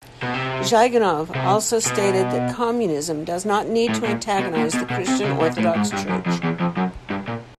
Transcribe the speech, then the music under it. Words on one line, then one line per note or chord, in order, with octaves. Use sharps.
Zyuganov also stated that Communism does not need to antagonize the Christian Orthodox Church.
B2
C3
C3
B2
A2
A#2
B2
A#2
B2
B2
C3
C#3
B2
A2
G#2
G2
F#2
F2
E2
F2
F#2
G2
A#2